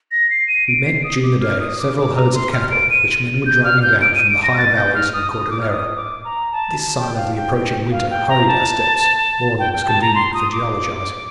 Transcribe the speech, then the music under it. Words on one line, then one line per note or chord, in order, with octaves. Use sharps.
We met during the day several herds of cattle, which men were driving down from the higher valleys in the Cordillera. This sign of the approaching winter hurried our steps, more than was convenient for geologizing.
A#6
C7
D#7
D7
C7
D#6
D6
F6
D#6
D6
D6
A#5
C6
F6
D7
D#7
G6
F6
G6
D7
D#7
D7
A#6
A6
G6
F6
D#6
D#6
D#6
D6
F6
D#6
D6
A#5
A5
A5
G5
F5
G5
G5
F5
G5
A#5
A5
G5
G5
A5
A#5
C6
D#6
D6